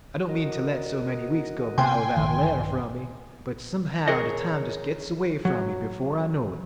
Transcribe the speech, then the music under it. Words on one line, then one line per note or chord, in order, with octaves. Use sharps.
I don't mean to let so many weeks go by without a letter from me, but somehow the time just gets away from me before I know it.
F#4 A#4 D#5
C3 A#3 C4 G5 G#5 C6
A#1 G2 D#3
G#4 A#4 C#5 D#5
F#3